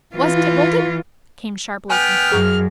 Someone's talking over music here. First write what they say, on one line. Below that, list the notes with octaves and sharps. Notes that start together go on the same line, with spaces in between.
"Wasn't it bolted?" came sharply from Thong.
E3 F4
B3 G5 G#5 F6
F#2 G#4